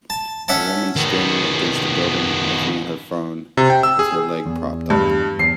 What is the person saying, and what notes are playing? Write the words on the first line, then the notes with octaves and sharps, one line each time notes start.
A woman standing against a building looking at her phone, with her leg propped up.
A5
C#4 E5 F#5 A5
D#3 B3
C3
G5
E6
G#4
E2
G2
E2 C7